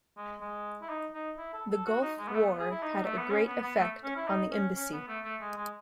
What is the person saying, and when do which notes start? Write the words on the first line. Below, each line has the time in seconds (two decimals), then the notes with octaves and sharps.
The Gulf War had a great effect on the embassy.
0.17 G#3
0.41 G#3
0.82 E4
0.89 D#4
1.14 D#4
1.38 E4
1.53 A4
1.70 A4
1.86 F#4
2.02 D#4
2.19 G#3
2.28 B3
2.35 A3
2.47 B3
2.59 G#4
2.71 E4
2.83 D#4
3.04 A3
3.18 B3
3.31 C#4
3.47 B3
3.63 B3
3.79 A3
4.04 C#4
4.16 E4
4.28 D#4
4.52 C#4
4.76 C#4
4.92 B3
5.08 A3
5.24 A3
5.41 G#3
5.57 G#3